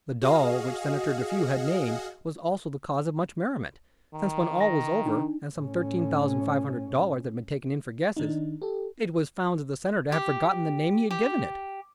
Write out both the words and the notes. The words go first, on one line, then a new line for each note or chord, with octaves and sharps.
The doll which Senator Defew had named was also the cause of much merriment, since when all was over and some thirteen thousand five hundred dollars had been taken in for guesses, it was found that the senator had forgotten the name he had given it.
F#4 G#4 D#5 F5
D#3
A#6
D4 D#4
A2 C#4
D#3 D4 D#4
G4 A4
G4
G4